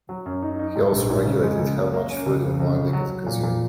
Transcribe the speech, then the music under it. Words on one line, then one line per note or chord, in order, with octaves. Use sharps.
He also regulated how much food and wine they could consume.
F#3
F#2
D#4
D#4
G#2
A#1
G#2
C#3
G#3
C#2
A#3
A#3
C#4
C#2
C#3
C#2
C#3
F#3
F#3
A#2
A#2